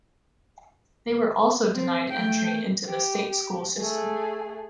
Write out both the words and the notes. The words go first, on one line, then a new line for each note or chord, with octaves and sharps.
They were also denied entry into the state school system.
C4
A3 G5
G4
A3 G#4